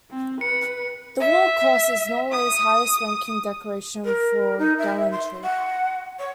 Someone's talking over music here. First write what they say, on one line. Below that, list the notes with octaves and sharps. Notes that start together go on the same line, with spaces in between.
The "War Cross" is Norway's highest ranking decoration for gallantry.
C4
B4 C#7
E5
D#6
A#4
D#4
E5
C6
F#5
C#5